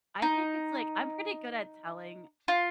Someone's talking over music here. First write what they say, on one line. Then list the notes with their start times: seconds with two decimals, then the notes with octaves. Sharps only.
I think it's, like I'm pretty good at telling,
0.22 D#4
2.48 F4